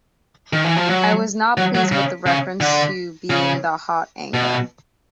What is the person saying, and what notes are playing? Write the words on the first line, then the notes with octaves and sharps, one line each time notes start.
I was not pleased with the reference to being the 'hot anchor'.
D#3
E3
F3
F#3
F#3
F#3
C#3
C#3
D3
C#3
B2